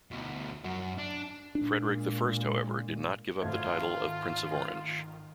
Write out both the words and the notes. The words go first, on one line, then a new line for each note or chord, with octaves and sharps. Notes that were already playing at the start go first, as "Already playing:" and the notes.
Frederick I, however, did not give up the title of Prince of Orange.
D2 B2
F#2 F#4
D4
A#2 G#3 D4
G#1 D#3 A3 F4 G#6